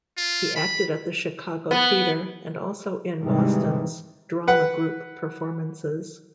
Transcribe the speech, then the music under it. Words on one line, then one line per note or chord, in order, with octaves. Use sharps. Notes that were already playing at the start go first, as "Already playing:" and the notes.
He acted at the Chicago Theater and also in Boston's Drama Group performances.
F4
B5
B3
G#2 C3 D#3 E3 G3 G#3
B4 F#5